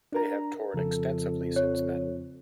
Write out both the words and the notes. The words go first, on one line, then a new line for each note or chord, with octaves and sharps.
They have toured extensively since then.
D4 A#4 A#5
F2 C#3 F3 A4
C#5